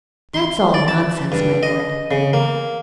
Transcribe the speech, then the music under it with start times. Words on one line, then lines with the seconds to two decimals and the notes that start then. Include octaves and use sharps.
"That's all nonsense, my lord."
0.34 C6
0.74 D5
0.88 A5
1.32 G2
1.63 D#5
2.11 C#3
2.33 A#3